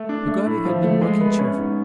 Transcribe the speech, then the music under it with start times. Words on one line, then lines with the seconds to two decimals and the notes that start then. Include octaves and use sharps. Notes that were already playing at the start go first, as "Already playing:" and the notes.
Peggotty had been working cheerfully.
Already playing: A3
0.09 D4
0.27 A3
0.46 A2
0.65 F3
0.83 A3
1.01 G#3
1.21 B3
1.39 C#4
1.58 G#2